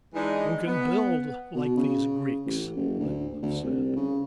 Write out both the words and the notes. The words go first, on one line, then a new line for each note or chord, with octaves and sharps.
'Who can build like these Greeks?' they will have said.
E3 G#3 D4 D#4
B3
B2
C#3
A1
F#1
D2
D2
C2
C#3